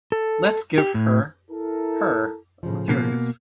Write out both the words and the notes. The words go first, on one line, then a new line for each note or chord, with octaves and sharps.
Let's give her her own series.
A4
G4
A2
E4 A4 A#4
A2 C#3 F3
B2 A#3